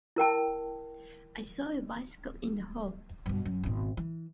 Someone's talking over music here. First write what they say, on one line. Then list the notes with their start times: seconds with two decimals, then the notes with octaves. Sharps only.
I saw a bicycle in the hall.
0.16 E4 A#4 G5 A5
3.26 G2 B2
3.45 F#2
3.63 G#1 B2
3.97 E3